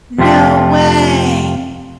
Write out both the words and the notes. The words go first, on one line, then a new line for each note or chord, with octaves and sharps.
No way.
F2 C3 A3 F4 G4